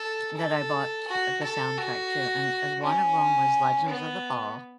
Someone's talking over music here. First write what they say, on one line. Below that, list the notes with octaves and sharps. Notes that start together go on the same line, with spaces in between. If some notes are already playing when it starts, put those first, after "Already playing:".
that I bought the soundtrack to, and and one of 'em was Legends of the Fall.
Already playing: A4
A4
F#4
A4
F#4
C#4
B3